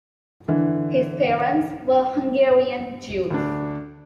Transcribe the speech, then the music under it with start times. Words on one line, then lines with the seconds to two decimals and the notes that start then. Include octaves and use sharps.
His parents were Hungarian Jews.
0.48 D3 E3
3.30 D2 D4